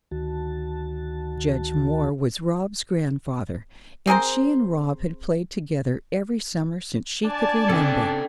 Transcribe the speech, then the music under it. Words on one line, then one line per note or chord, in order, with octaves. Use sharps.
Judge Moore was Rob's grandfather, and she and Rob had played together every summer since she could remember.
D2 D#3 F#4 A5
C4 G#4 A#4 C5
D4 D5 G#5 A5
C#3 C4 A4 G5